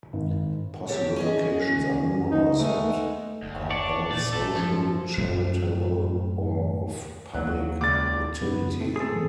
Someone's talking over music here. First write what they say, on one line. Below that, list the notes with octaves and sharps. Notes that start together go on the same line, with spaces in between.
Possible locations are numerous and are all social, charitable or of public utility.
G#1
G4 A4 C#5
C#4 G#4 D#5
D#4
G#3 A3 B3 D#4
F#1 D2
D4 C#5 D5
A#2 A3 D5
G#1 A4
G#2 F3
F#2 A2 G3 A3
D#2 F#3 A#3 F#6
C#2 D5 D6 A6
F#2 B3
A3 C4
G#4 A4
A2 E3